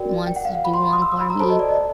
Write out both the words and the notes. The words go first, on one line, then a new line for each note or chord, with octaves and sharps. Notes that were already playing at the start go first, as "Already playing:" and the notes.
wants to do one for me,
Already playing: F#4 A#4 D5 G5
G5
F#5
F5
F#5
B5
C6
D#6
E6
D#6
B5
A#5
F#4 A4 C5 A5
D#5
D5
D#5